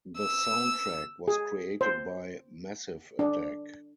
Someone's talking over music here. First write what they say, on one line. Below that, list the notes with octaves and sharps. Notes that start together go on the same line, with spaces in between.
The soundtrack was created by Massive Attack.
E6
G#4
C5
D4